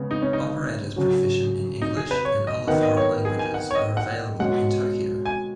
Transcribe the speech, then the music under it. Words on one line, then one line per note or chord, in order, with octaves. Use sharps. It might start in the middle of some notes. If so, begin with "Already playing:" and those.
Operators proficient in English and other foreign languages are available in Tokyo.
Already playing: C#3 G#3 B3
D#4
C#4
D#4
C#3 F#3 C#4 F#4
D#4
G#4
B4
C#5
D#5
D#3 B3 D#4 F#5
D#5
C#5
G#4
G#5
F#5
C#5
D#5
F#5
B2 G#3 C#4 F#4 F#5
G#5